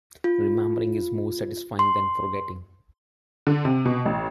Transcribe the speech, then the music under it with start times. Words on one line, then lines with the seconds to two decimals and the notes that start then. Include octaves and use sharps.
Remembering is more satisfying than forgetting.
0.24 F4
1.79 C6
3.47 D3
3.65 C3
3.85 B2
4.05 A1